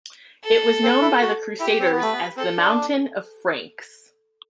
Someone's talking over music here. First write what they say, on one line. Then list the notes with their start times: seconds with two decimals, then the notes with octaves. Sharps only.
It was known by the Crusaders as the "Mountain of Franks".
0.44 A4
0.83 C4
1.01 E4
1.22 F#4
1.60 E4 G4
1.80 C4
1.91 B3
1.99 A3 B4
2.13 B3
2.37 C4 A4
2.57 D4